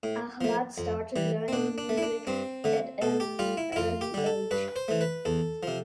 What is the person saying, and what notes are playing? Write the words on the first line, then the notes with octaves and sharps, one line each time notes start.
Ahmad started learning music at an early age.
A2
F3 A3
F2
E3 G3
C4
B2 D4
D4
A3
E4
D4
G2 C4
D3 A3
B2 A4
G4
G3 F4
E4
E4
F2 F4
G4
D3 G3
A4
G2 B4
C5
E3 A3
B4
E2 A4
C3 F3